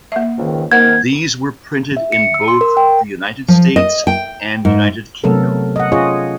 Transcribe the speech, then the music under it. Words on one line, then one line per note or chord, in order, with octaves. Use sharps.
These were printed in both the United States and United Kingdom.
A#3 E5
C#2 G#2 D#3
D#3 A#3 C4 A#4 F#5 G#6
E5
C#7
E6
C6
A#4
G5
F3
D#5
G5
G#2
C3 F#3 A3 B3 A4 A#4
D#5 F#5
C#4 F4 G#4 C#5 D#5